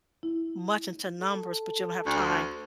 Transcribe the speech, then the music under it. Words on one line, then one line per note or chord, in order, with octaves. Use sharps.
much into numbers but you don't have time
E4
A4
D2